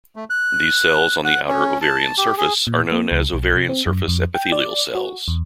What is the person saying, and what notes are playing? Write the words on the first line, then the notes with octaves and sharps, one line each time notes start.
These cells on the outer ovarian surface are known as ovarian surface epithelial cells.
A3
F#6
F#5
C#4
A5
G4
G#4
A#2
A#3
C#2
B1
C3
C4
F#2
F2
G5
D5
F#4
E2